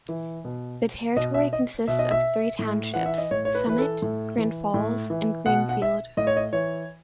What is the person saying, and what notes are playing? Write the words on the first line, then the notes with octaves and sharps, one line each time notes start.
The territory consists of three townships: Summit, Grand Falls, and Greenfield.
E3
B2
B2 D#5
E5
D#5
B2 E5
D#5
E5
A2
E3 F#5
E5
D#5
A2 C#5
C#5
B4
E3 B4
A4
A2
E3
A2
E3
B2 F#5
F#5
E5
A2 D#5
C#5
D#5
E3 C#5